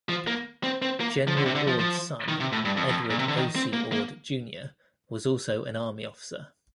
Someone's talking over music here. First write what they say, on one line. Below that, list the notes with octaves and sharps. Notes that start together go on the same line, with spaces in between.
General Ord's son, Edward O. C. Ord, Junior was also an Army officer.
F3
A#3
C4
C4
A#3
F3
D3
C3
D3
F3
F3
D#3
C3
A2
G2
F2
F2
A#2
C3
D3
D#3
C4
A#3
A#3